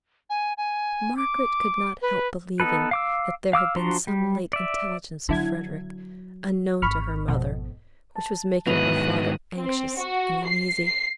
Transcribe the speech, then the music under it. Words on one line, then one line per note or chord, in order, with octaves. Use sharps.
Margaret could not help believing that there had been some late intelligence of Frederick, unknown to her mother, which was making her father anxious and uneasy.
G#5
G#5
D6
B4
B3 D#4 A4 B4
F5 D6 E6
F5 D6 E6 F6
F3 D4 F#4 A#5 C6
G3
D5 E5
D3 F#3 E4 G#6
G#1 B5 C#6 F6
F2 B2
A5
G#2 D#3 F#3 B3 E4 D#6 F#6 F7
C4
F#4
C7
C7